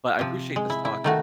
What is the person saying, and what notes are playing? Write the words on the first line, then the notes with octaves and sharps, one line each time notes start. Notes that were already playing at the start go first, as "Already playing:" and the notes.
but I appreciate this talk.
C3 F3
G#3
E4
E4
D#3 A3 F#4